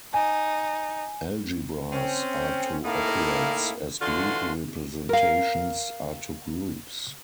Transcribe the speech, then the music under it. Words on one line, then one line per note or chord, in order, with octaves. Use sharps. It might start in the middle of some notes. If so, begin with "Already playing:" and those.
Algebras are to operads as group representations are to groups.
D#4 G#5
C4 C#4
A2 A#3 D#4 E4 F5
D3 E3 F4 F#4 C6
A#4 F5